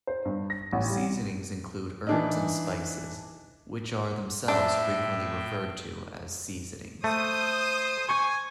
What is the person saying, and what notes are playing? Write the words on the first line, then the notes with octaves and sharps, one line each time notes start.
Seasonings include herbs and spices, which are themselves frequently referred to as "seasonings".
C5
G2
A#6
A1
G3
E3 D4 D#4
A2 D4 E5 G5
A3 C5 D#6
G#5 C6 C#6 G#6